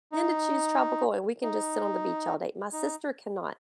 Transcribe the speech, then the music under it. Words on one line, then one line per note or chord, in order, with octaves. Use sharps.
tend to choose tropical, and we can just sit on the beach all day, my sister can not,
D#4
D#4
D#4